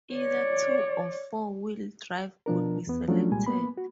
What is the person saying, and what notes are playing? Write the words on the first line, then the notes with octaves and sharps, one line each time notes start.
Either two- or four-wheel drive could be selected.
C#5 D5
B2 F3 D4 A#4
E2 B3
F3 F#3 A3 C#4 D4 F4
C2 A#2 G3 G#3 G#5
A#3 B3 B5
F#4